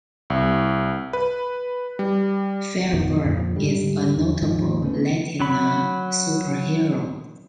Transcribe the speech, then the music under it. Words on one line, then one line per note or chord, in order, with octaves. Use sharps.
Firebird is a notable Latina superhero.
C2
B4
G3
A1 F2 B2 D#3
F2 A#2 D3 F3
G#2 D3 G3
E2
D#2 G#2 D#3 F3
C#3 A3 B3
F#3 B5